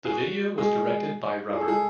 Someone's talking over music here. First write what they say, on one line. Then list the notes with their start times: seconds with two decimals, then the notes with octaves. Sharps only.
The video was directed by Rubber.
0.05 G#4
0.11 F#4
0.58 G#3 G#4
1.53 G#4
1.60 A4
1.68 G#3 G#4